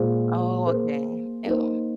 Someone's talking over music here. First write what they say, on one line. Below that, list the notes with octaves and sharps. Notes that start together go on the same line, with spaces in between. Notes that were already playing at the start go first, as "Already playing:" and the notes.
Oh, okay. Ew.
Already playing: A#2 G#3 F4 G#4 C5
A#3 G#4 C5
A#3 D#4 C5